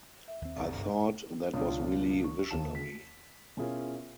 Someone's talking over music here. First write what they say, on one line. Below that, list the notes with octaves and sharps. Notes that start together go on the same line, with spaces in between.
I thought that was really visionary.
E5
D#2 C4
G1 C2
G2 C3
C#2 B2 D4 F4 C#5 D#6
C#6
D#2 A5 E7
B6
B2 C#4 E4 F4 G#4 A#4